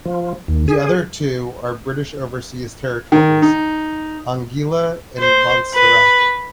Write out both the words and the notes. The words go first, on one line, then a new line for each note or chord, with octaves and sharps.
The other two are British overseas territories: Anguilla and Montserrat.
F3
D#2
G#4
D#3
D#4
C5
B4